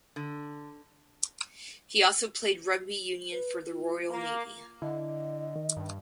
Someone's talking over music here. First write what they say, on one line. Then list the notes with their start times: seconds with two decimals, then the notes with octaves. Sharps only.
He also played rugby union for the Royal Navy.
0.16 D3
3.32 B4
3.68 F4
4.10 A#3
4.82 D3 E4 D#5
5.56 D#3
5.77 G2